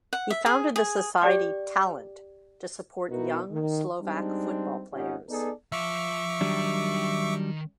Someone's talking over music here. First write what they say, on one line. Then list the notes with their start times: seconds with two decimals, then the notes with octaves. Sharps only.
He founded the society "Talent" to support young Slovak football players.
0.13 F#5
0.30 E5
0.46 G#4
0.76 G#4
1.21 G4 D5 G5 D6
3.09 B2 D#4 E4 F#4 A#4 B4
3.51 D#3
4.01 G3 G#3 C4 D4 D#4
4.93 G#1 C#4 D#4 F4 G4 F#5
5.29 B3 D#4 G#4 A4 B4 D5
5.72 F3 E5 F5 C#6 D6
6.41 D#3 F#3 G3 D4